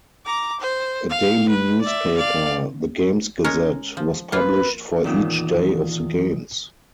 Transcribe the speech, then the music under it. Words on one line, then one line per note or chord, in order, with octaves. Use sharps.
A daily newspaper, the Games Gazette was published for each day of the games.
A#5 D6
C5
F5
B4
D5 E5
D5 F5
G#3 C#4 A#4
F3
A#3 F4 B4
E2 A#2 D#3